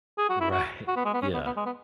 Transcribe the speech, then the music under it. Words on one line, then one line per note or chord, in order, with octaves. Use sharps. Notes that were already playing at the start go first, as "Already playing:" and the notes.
Right. Yeah.
G#4
F#4
E4
F#4
F#4
B3
G#3
B3
C#4
B3
B3
G#3
B3